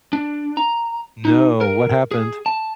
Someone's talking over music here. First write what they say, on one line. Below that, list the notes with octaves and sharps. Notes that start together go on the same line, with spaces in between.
No, what happened?
D4
A#5
D#4
A#4
G#4
A5